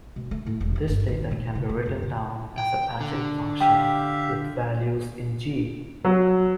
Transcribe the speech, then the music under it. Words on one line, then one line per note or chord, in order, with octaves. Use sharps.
This data can be written down as a patching function, with values in "G".
B2
A3
A2
E1
A3
G1
D#2
A#2
C3
A3
F#2
D3
G5
D3
G4 E5 F5 G5
F#3